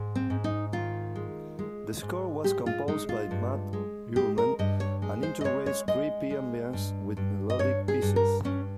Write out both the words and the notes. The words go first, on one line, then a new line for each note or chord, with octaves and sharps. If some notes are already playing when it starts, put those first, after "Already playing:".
The score was composed by Matt Uelmen and integrates creepy ambience with melodic pieces.
Already playing: G#2
C4
G#2
D#4
D#3 F4
G#3
G#3
G#2
G#3 G4
F4
G#3 D#4
F4
G2
G#3
G#3 G4
A#4
G2 D#5
C#5
G#3
C5
D#5
G#3 C#5
C#5
G#3 D#5
G#3
G2
G2
D#5
G2 C#5
G#4
G2
A#4
G2 C#4